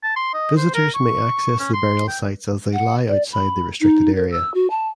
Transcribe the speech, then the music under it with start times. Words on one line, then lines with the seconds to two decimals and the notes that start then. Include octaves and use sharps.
Visitors may access the burial sites as they lie outside the restricted area.
0.03 A5
0.16 C6
0.34 D#5
0.57 C5
0.75 A#4
0.95 C#6
1.60 C#4
1.74 C6
2.08 G5
2.73 F#5
3.08 D5
3.32 B5
3.81 D#4
4.16 A#4
4.31 E6
4.54 F#4
4.70 A5